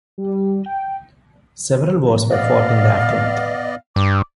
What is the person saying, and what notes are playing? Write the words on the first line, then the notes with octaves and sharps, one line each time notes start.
Several wars were fought in the aftermath.
G3
G5
B3 D5 D#5 F5
G2 D6